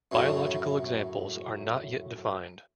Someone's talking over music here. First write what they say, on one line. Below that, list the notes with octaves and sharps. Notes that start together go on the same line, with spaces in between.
Biological examples are not yet defined.
F#2 A2 C#3